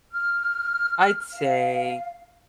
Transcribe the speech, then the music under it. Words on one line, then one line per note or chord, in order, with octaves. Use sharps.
I'd say
F6
F5